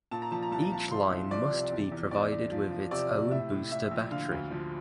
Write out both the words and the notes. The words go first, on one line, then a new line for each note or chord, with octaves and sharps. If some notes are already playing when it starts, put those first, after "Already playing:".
Each line must be provided with its own booster battery.
A#2 A5
A#5
F3 A5
A#5
C2 A5
A#5
F3 A5
F3 C6
C2
F3 D5
C3
E2
E2
E2 D5
E2
F3
F3
C3 D5
C3
A2 E5
A2
A2 E5
A#1
D3 F5
D2
F3